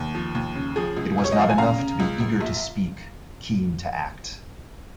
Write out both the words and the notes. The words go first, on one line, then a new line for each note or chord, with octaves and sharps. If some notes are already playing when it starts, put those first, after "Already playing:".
It was not enough to be eager to speak, keen to act.
Already playing: D#2
F3
D#2
C#3
F3 G#4
C#2
C#2
C#5
D#5
F3 F5
G#5
C#3 F5 A#5
C#3
C#2
C#2
A#1